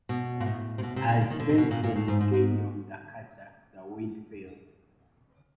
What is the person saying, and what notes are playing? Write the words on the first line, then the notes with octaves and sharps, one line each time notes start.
As "Benson" gained on the cutter the wind failed.
B2
A#2
A2
C3
B2
C3
C#3
D3
D#3
D3
C3
B2
A#2
A#2
A2
G#2
G#2
G#2